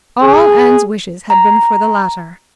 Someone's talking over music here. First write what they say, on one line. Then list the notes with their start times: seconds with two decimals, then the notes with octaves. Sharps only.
All Anne's wishes had been for the latter.
0.23 G#4
1.30 A#5